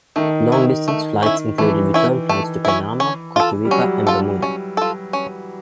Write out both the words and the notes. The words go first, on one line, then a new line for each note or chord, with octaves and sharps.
Long-distance flights included return flights to Panama, Costa Rica and Bermuda.
D#3 A3
C#4 E4
A3
C#4 E4
E3 A3
C#4 E4
A3
C#4 E4
C#4
F4 A4
G3
F#3 C#4
F4 A4
C#4
F4 A4
C#4